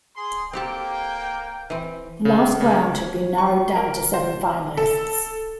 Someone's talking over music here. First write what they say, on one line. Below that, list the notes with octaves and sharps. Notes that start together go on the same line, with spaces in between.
The last round had been narrowed down to seven finalists.
G#4 C6
A#3 C4 G4 A4 G5
E3 C4
C#3
C#3
C#5
C#6
A#4
C5
A4